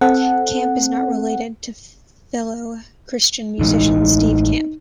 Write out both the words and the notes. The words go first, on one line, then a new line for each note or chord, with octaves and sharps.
Camp is not related to fellow Christian musician Steve Camp.
C4 A4 F#5
A1 E3 G#3 D#4